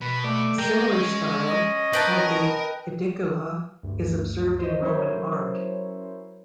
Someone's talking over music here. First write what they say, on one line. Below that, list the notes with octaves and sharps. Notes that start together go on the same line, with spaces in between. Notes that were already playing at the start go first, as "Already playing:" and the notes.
A similar style, called the Aedicula, is observed in Roman art.
B2 B4
A3 D5
G#3 A#4 G5
C#4
D#5
A#4 B4 G5 A5
D2 G2
C5 D#5
F#3 C#4 E4 A#4 C5 C#5